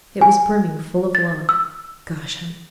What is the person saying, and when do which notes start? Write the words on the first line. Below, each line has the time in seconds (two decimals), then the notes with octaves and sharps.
It was brimming full of love--Gosh, honey!
0.21 G#5
1.15 A6
1.49 E6